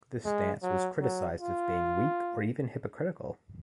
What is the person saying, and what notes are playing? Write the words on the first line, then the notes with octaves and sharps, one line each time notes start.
This stance was criticised as being weak or even hypocritical.
G#3
F#3
F#3
F4